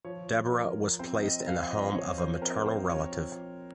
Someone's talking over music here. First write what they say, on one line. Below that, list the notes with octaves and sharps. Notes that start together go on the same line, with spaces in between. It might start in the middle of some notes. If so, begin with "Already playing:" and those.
Deborah was placed in the home of a maternal relative.
F3 C#5
F3 A#4
C4 C5
D#5
F3 F5
D#5
F3 C#5
C5
C4 A#4
C5
F3 C#5